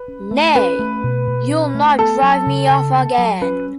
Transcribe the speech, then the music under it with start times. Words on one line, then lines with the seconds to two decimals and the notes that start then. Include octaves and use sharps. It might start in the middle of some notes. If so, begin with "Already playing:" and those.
Nay, you’ll not drive me off again.
Already playing: B4
0.08 C#4
0.31 A3
0.55 C#4 B4
0.79 A3
1.03 B2
1.27 B2
1.51 C#4
1.75 A3
1.99 B3 A4
2.23 F#3
2.46 C#3
2.70 C#3
2.94 B3
3.18 F#3
3.41 C#4 B4